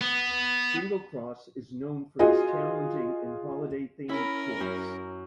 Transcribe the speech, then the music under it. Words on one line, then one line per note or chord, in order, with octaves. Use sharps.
Jingle Cross is known for its challenging and holiday themed course.
B3
F4 F#4 G#4 D#5
C#4 E4 A#4 B5
F#2